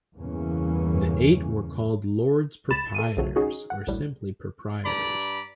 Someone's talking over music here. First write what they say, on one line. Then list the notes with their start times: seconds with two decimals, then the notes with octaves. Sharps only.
The eight were called "Lords Proprietors" or simply "Proprietors".
0.16 E2 G2 C#3 E3 A#3 C#4
2.71 C#2 B5 A6 E7
2.94 A4 D#7
3.17 B1 F#2 C#3 F3 F#3 A3
3.36 C#4 D#4 F#4 G#4
3.70 F#5
3.87 A1 D2 A2 G3
4.86 G2 D5 A#5 B5